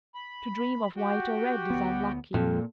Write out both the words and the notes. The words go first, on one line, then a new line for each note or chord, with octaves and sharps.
To dream of white or red is unlucky.
B5
F#4 G4 G5
D2 B3
F2 A#2